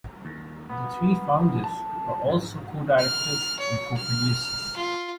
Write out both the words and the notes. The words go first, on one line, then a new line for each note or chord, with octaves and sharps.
The three founders are also co-directors and co-producers.
D#2
B3
A5
G#2
F6
C#5
F6
F4